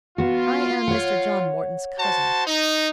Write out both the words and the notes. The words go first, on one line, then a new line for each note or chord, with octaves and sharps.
"I am Mr. John Morton's cousin."
B3 F4 F#4
C#5 F#5
F#4 C5 A5
D#4